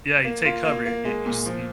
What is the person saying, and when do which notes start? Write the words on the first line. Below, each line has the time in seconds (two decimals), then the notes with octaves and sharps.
Yeah, you take cover. You you s y
0.25 A#3
0.45 F4
0.64 A#3
0.85 A#3
1.05 G#3
1.26 A#2
1.46 F3